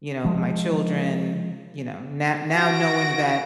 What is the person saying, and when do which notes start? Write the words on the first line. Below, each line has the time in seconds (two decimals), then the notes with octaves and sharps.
you know, my children, you know, no now knowing that
0.25 F3 G#3
2.53 F#4 A#6 D7